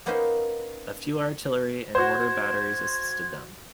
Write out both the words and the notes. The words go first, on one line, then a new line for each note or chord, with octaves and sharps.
A few artillery and mortar batteries assisted them.
A#3 B3 C#4 D#4 B4 C5
F#4 C5 G#6